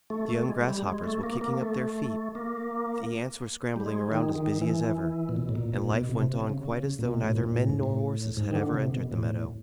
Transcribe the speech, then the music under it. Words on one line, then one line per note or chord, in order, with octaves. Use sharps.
The young Grasshoppers were kicking up their feet, the Ants were scrambling around as busy as ever, and life went on quite as though neither men nor Horses had ever entered the meadow.
A3
A3
G#3
G3
G#3
A3
A#3
A#3
A3
A#3
G3
G#3
D#3
D#3
E3
A#2
B2
A2
A#2
A#2
B2
C3
C3
C#3
A#2
B2
A2
A#2
A2
G#2
A2
G#2
D#3
D3
C3
B2
A2